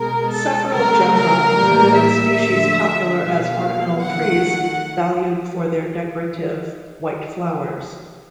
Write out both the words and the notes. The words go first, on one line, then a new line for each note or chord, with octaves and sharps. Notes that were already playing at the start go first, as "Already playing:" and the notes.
Several genera include species popular as ornamental trees valued for their decorative white flowers.
Already playing: B2 G#3 A#4
A4
C#3 F#3 A3 A#4
A#4
A2 E3 G3 A#3
E5
D3 F3 A3
B2 G3 A#3 F5
D#3 F#3 A3 F#5